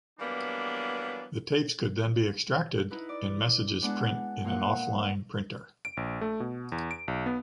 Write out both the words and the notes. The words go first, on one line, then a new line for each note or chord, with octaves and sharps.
The tapes could then be extracted and messages print in an “off-line” printer.
E3 F#3 G3 A#3 B3 D4
D#4 E4 B4
D5
G#3 B3 D4 F#5
A#2 A#3 F5 F#5
D7
A#1
A3
B2
E2
D7
B1
B3